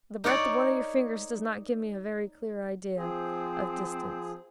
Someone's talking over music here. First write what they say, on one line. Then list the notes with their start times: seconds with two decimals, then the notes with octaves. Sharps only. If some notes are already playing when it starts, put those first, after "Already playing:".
The breadth of one of your fingers does not give me a very clear idea of distance.'
0.24 D#4 A#4 C#5 D5
2.97 F3 C4 G#4